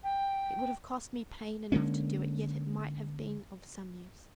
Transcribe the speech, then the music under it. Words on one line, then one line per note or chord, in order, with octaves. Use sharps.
It would have cost me pain enough to do it, yet it might have been of some use.
G5
D3 G#3 A#3 C#4